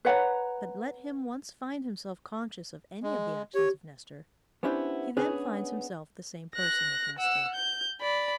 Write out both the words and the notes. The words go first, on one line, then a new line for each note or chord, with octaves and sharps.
But let him once find himself conscious of any of the actions of Nestor, he then finds himself the same person with Nestor.
B4 C#5 F#5 A#5
G#3
G4 C#5
B3 C#4 D4 E4 G4 C5
B3 C#4 D4 G#4 B4 C#5
F#6 A#6
F#5 E6
G6
D5 B5